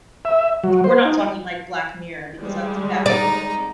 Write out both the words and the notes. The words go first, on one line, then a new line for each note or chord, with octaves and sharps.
we're not talking, like, Black Mirror. because that's vastly different,
E5
F#3
C5
D#4
G3 G#3
D#4 D5 A#5